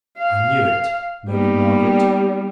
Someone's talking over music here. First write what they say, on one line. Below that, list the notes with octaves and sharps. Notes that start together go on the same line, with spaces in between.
"I knew it," murmured Margaret.
F5
G3 A#3 B3 D#4